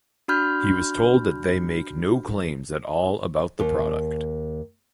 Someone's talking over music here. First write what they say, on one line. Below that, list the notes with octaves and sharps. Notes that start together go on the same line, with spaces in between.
He was told that they make no claims at all about the product.
D4 F#4 B5 F6 G6
D#2